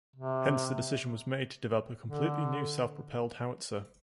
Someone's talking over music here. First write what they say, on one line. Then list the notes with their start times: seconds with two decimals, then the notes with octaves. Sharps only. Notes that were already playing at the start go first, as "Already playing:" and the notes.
Hence the decision was made to develop a completely new self-propelled howitzer.
0.16 C3
2.06 D3